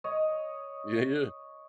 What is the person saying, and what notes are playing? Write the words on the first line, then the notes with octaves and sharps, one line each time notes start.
Yeah, yeah.
C#5 D#5